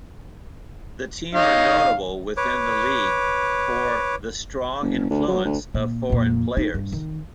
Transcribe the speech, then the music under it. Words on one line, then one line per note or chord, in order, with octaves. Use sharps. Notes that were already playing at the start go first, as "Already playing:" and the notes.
The team are notable within the league for the strong influence of foreign players.
D#4 C#5 F5
B4 C#5 D6
F#1
D2
F#3
D2
A#2
F2 A#2
D#4
G2
D#3